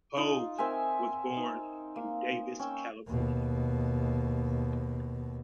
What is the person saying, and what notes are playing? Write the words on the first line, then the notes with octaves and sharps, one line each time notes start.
Hoag was born in Davis, California.
D#4 F4
C4 A#4 E5 G#5
D#4
A#3
C#4 G5 E6
D#2 B2